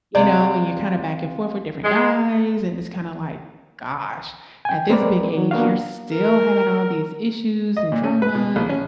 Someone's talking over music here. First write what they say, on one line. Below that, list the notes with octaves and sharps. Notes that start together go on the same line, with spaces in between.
you know, and you're kinda back and forth with different guys, and it's kinda like, "Gosh, at this big age, you're still having all these issues and drama and
C3 G#3 C4 D5 F5
G#3
G5 G#5
G#3 C4 A#4 B4 D5
F#3
A#3 B3 D4 F#4 F5
A#4
D#5
A#2
C#4
B4
B2
A#1
C#4